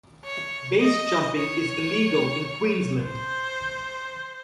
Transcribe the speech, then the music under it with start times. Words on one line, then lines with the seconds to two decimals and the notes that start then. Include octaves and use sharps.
Base-jumping is illegal in Queensland.
0.25 C#5
0.81 D#5
1.36 C#5
3.02 C5